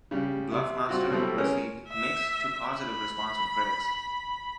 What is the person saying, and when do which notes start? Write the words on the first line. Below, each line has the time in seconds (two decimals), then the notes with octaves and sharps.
"Bluffmaster" received mixed to positive response from critics.
0.11 C#3 G3
0.51 C3
0.89 G3 C4 F4 F#4
1.10 B2 F#3 G3 C4 E4 A4
1.38 G#3 C#4 A#4
1.89 E5
2.71 B5